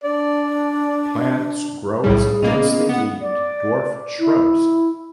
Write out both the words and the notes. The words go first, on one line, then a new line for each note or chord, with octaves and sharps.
Plants grow as densely leaved dwarf shrubs.
D4 D5
B1 A2 G3 G#4
A#2 A#3 B3 C#4 D#5
B3 F#5
D5
E4